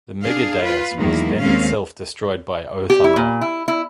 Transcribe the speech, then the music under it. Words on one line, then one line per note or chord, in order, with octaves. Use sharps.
The megadeus was then itself destroyed by O Thunder.
D4 G#4 F5
F4 B4
E2 D#3 F#3 G#3 A#3 E4
D#2 G#3 A#3 C4 C#4 F5
G4
E4
A#2
E4
E4